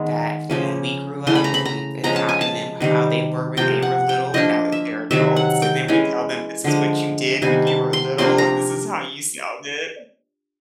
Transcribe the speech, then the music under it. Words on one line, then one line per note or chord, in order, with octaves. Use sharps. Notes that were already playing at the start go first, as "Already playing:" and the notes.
that from when we grew up and and how and then how they were when they were little and now that they're adults, and then we tell them, "This is what you did when you were little, and this is how you sounded."
Already playing: D#3 G#3 B3
C#3 F3 A#3 C#4
C#3 E3 A3 C6
B5
A#5
B5
A#5
F3 G#3 C#4 A#5
A5
G#5
A5
C3 D#3 G3
C3 F3 A#3 G5
F#5
G5
F3 A#3 D4 D#5
E5
C3 D#3 F#3 E5
F#5
G5
E3 G#3 C#4
D3 F3 G#3
C3 D#3 G3 B3 G#5
A5
C6
C3 F3 A#3 D4 C6
A#5